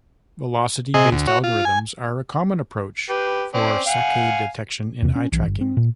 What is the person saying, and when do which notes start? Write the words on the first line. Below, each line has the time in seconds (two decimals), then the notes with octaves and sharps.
Velocity-based algorithms are a common approach for saccade detection in eye tracking.
0.94 C3 G#4 D#5
1.12 D2
1.27 F#4 C#5
1.44 F4
1.65 G#5
3.09 G4 B4
3.54 C4 C#4 D5
3.87 F5 F#5 G#5
5.02 E2 C3
5.16 C#4
5.32 B1 E3
5.46 G1
5.61 C4
5.77 A#2